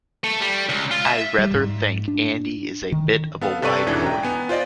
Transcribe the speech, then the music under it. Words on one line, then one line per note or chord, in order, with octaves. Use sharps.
I rather think Andy is a bit of a wide boy.
A3
G3
C#2
F4
E5
G3
G#2
D4
D#3
B3 A4 F5
C3 A4 B4 D5 C#6 D#7
E2 G#2 B2 E3 C#4 D4
G5 A#5
B3 G#5
F4 C5 D5 D#5